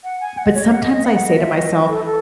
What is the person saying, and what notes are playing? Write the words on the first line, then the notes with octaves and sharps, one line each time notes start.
but sometimes I say to myself,
F#5
G#5
F#5
D#5
C#5
D#5
F#5
D#5
D#5
F#5
F#5
D#5
E5
D#5
A4
A4